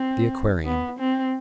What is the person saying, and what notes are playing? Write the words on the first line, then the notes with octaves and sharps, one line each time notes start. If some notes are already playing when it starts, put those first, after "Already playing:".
The Aquarium.
Already playing: C4
B3
C4